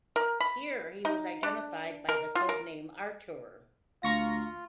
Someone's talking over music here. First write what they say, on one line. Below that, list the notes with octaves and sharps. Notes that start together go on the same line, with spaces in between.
Here he was identified by the code name "Artur".
A#4
B5
D#4
D4
A#4
F4
A#4
D2 F4 F5 A#5 C#6 A#6